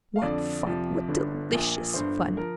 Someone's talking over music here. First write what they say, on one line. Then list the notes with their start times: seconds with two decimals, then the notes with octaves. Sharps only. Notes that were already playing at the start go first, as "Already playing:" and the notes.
What fun--what delicious fun!
0.16 F5
0.22 F2 D3 F3 D5
0.64 F2 C3 F3
1.08 G1 G2 D3
1.51 A#1 A#2 F3
1.94 G1 G2 D3 C5
2.37 F3 A#4